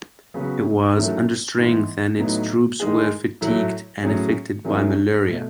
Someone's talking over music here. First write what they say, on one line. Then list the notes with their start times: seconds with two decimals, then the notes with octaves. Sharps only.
It was understrength and its troops were fatigued and affected by malaria.
0.34 C#3 F#3 B3 F#4
0.96 D#3 F#3 A3 C#4 E4
1.57 G#2 E3 B3
2.19 A2 F#3 B3 D#4
2.80 D#3 G#3 D#4 G#4
3.41 A2 F#3 A3 E4
4.03 A2 F#3 C#4 G#4
4.65 D#3 F#3 C#4 E4 G#4
5.27 B2 A3